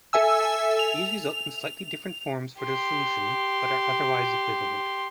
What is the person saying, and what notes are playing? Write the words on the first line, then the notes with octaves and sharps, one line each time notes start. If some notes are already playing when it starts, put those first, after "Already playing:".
These result in slightly different forms for the solution, but are otherwise equivalent.
A4 E5 G#5 E6
F7
G4 C6